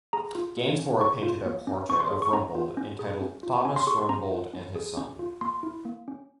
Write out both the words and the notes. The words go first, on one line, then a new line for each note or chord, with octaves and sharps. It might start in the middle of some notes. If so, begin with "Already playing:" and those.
Gainsborough painted a portrait of Rumbold entitled "Thomas Rumbold and his Son".
G#4 A#5
F4
A#3
C#4
G#4 C#6
F4
A#3
C#4
C#4 C#6
C6
G#4
C#6
C#4 A#5
F4
C#4
G#4
C#4
F4
C#4 G#5
C6
G#4 C#6
C6
C#4 A#5
F4
C#4
G#4
C#4
F4
A#3 C6
E4
A#3
C#4